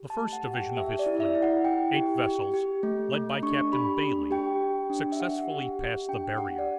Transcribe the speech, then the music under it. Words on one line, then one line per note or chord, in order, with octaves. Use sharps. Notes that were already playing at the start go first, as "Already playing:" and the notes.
The first division of his fleet, eight vessels, led by Captain Bailey, successfully passed the barrier.
Already playing: G4
A5
A3
F#5
G4
G5
G4 E5
D5
E4
E5
E4
F#5
E4 G5
G4
G4
G4
A3
A3
D4 C#6
G4 B5
D4
G4 G5
G4
D4
E5
G4 F#5
G4
G4
D4 G5
G4 F#5
D5